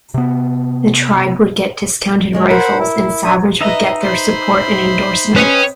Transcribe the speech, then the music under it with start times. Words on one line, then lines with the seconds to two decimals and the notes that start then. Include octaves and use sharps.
The tribe would get discounted rifles and Savage would get their support and endorsement.
0.14 C3 B3
2.33 D#3 G#3 C#5
2.51 A#4 C5 F#5 B5
2.78 E4
3.25 D4 E5 D#6
3.61 D#4 B4 D#5 E5 A#5
4.01 C5 B5
5.36 C#4 B4 C#5 D#5 G5